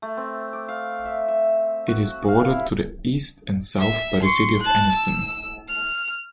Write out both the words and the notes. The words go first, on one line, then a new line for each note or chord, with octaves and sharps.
It is bordered to the east and south by the city of Anniston.
A3
C4
D6
F5
E5
E5
F#4
F5
E4
E5
C6 C#6
A5 F#6
E6
F6